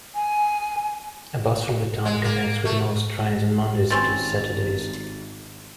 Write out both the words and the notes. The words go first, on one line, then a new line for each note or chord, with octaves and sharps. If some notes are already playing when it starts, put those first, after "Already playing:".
A bus from the town connects with most trains on Mondays to Saturdays.
G#5
G#3
A#3
A3
G#1 G3 C4 C#4 A6